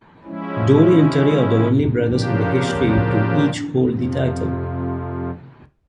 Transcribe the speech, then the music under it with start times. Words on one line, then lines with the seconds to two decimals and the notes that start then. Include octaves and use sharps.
Dory and Terry are the only brothers in history to each hold the title.
0.23 F3 G#3 C#4 E4
2.04 C#3 F3 A#3 D4 G4
3.86 F2 C3 F3